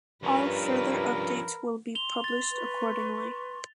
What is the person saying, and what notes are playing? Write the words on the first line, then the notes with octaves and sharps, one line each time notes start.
All further updates will be published accordingly.
G2 F3 C#4 A#4 B4 B5
C6 F7 G7
A6
B4 C#6